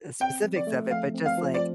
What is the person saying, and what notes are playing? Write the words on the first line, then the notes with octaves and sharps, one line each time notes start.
uh, specifics of it, but just like
C4 G5
F3
D5
A3
F3 F5
C4
F5
F3
D5